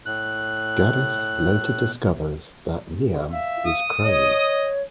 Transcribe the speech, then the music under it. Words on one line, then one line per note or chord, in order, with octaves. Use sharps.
Gaddis later discovers that Neame is Crane.
A2 F#6
E5 F5
D#6
C#5 D#5